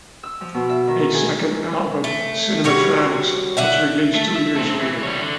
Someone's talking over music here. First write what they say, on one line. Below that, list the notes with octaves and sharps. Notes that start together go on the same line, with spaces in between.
A second album, "Cinematronics", was released two years later.
E6
F3
B2
E5
D#3
D#3
G#4
A3
G3 F#4 C#5
D3 E5 F#5
A3
E5
A3 C4
E3
G3 C#5
D3